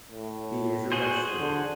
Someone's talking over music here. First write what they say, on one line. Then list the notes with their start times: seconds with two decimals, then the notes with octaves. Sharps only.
He is arrested.
0.11 A2
0.92 F#4 G#4 C5
1.40 D3